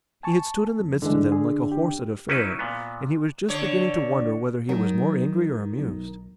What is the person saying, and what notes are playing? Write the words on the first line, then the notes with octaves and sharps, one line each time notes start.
He had stood in the midst of them like a horse at a fair, and he was just beginning to wonder whether he was more angry or amused.
G#5 A5 C#6
F2
G2 D3 E3 G#3
G#4
G4
F#3 C#4 D#4 E4 B4
A#2 B3
D3 C#5
D#3 F#3
B1